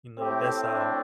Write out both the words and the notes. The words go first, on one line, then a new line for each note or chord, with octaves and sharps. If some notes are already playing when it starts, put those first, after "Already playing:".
You know, that's how
A2 A3 C4 G4
D4